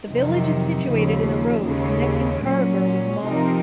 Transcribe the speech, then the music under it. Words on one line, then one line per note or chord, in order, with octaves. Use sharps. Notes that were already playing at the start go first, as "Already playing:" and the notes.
The village is situated in the road connecting Paravur with Mala.
F2 C3 D#3 F#3
D#2 C#3 F3
D#2 C#3 G#3
A#2 F#3 C#4
C3 F3 C4 D#4 A#4